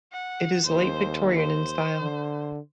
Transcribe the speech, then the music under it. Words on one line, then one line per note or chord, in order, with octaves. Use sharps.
It is Late Victorian in style.
F#5
D#2 C5
C5
D3